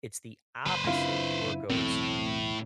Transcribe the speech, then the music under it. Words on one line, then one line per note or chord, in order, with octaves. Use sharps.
it's the opposite where it goes,
F#1 B4 C5
F#2 C#3 C4 D4 E4 F4
B1 E2 A2 C4